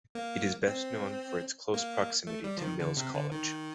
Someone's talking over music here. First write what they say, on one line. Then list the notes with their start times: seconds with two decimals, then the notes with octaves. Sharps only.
It is best known for its close proximity to Mills College.
0.15 A#3
0.67 C4
1.74 A#3
2.27 A3
2.44 G3
2.58 F3
2.62 D#3
2.80 D3
2.97 C3
3.14 D3
3.32 D#3